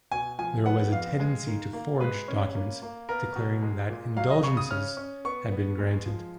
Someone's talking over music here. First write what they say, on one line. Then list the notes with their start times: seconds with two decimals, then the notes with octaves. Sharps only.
There was a tendency to forge documents declaring that indulgences had been granted.
0.12 B2 G#5
0.38 F3 G#5
0.65 B3 F#5
0.92 F2 F5
1.19 G#3
1.47 D#3
1.73 A#3
2.01 G#3 B4
2.28 C#4
2.55 A#3
2.82 A#3
3.09 B3 A#4
3.36 B2
3.62 G#3
3.89 A#2
4.16 F#3 F5
4.30 D#5
4.43 C#3 C#6
4.57 D#6
4.71 C#4 F6
4.97 C#4
5.25 B3 C#6
5.51 B3
5.79 G#3
6.06 F3